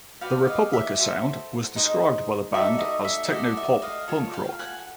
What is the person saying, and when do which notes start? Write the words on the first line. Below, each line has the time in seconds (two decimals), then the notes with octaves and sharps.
The Republica sound was described by the band as "technopop punk rock".
0.21 F#4 B4 D5 F5 G5
0.47 D#5 F5
0.73 E5
0.99 F#4 A4 C5
1.76 D#4 G#4 C5 D#5
2.54 D#4 F#4 A4 D5 E5
2.79 D#5
3.05 E5
3.31 F#4 A4 D5 D#5
3.57 E5
3.82 D#5 F5
4.08 F4 A4 C#5
4.33 F5 G5
4.59 F#5 G#5